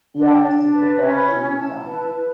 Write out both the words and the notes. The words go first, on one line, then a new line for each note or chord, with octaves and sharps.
Yannis is a fashion designer.
D4
G5
D4
B4 A5
C#4
B5
E4
E4 A5
B4
B4